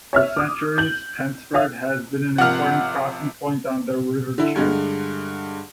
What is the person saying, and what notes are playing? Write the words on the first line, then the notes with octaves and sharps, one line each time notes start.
For centuries Pensford has been an important crossing point on the River Chew.
C#5 E5 F6
D6 D#6
G6 F#7
C#5 E5 F5 D#6
G#1 C3 F3 F#5 F6
D3 E4
G2 D3 G#3